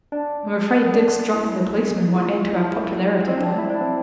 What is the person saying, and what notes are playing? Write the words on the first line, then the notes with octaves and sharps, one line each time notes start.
I'm afraid Dick's dropping the policeman won't add to our popularity, though.'
D4
D4
E4
G#4
E4
F4
E4
C4
D4
E4
D4
C4